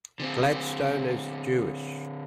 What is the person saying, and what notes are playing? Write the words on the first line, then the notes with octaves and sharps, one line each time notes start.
Gladstone is Jewish.
D3 C4